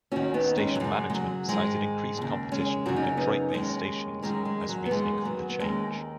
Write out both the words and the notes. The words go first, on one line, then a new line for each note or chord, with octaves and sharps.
Station management cited increased competition from Detroit-based stations as reasoning for the change.
D#2 D#3 C#4 F#4
B3 D#4
G#3 C#4
F#3
F#2 C#3 G#3
G#3
F#3
G#2 D#3 G#3
D#2 C#3
G#3 C#4
F#2 C#3 F#4
D#4
C#4
B3 D#4
D#2 D#3 G#3 C#4
F#2 D#3 G#3 C#4
G#3
F#3
B3
F#2 D#3 G#3
F#3 B3
B3
D#2 D#3 G#3 C#4